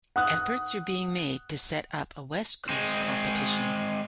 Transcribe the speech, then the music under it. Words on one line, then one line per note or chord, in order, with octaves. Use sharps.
Efforts are being made to set up a west coast competition.
F#5 D#6 F#6
G#3 C4